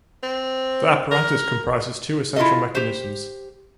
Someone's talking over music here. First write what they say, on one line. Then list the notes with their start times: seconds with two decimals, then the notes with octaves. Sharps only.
The apparatus comprises two essential mechanisms.
0.23 C4
1.11 A#4
2.36 E4 F4 G#4 A4 D#5
2.75 G4 C5